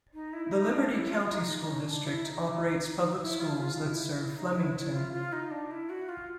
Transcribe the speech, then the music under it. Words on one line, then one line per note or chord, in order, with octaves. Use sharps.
The Liberty County School District operates public schools that serve Flemington.
D#4
E4
D#4
D4
E4
F4
D#4
C#4
D4
E4
D#4
E4
F4
F4
F4
E4
D#4
E4
E4
F4
F4
D#4
D4
E4
F#4
F4